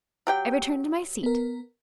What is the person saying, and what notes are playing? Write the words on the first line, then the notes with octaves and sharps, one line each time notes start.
I returned to my seat.
F#3 G4 G5
B3 A#4